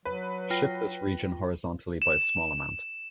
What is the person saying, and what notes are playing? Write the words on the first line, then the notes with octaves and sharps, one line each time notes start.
Shift this region horizontally by a small amount.
F#3 B4
F4 G5 A#6
E7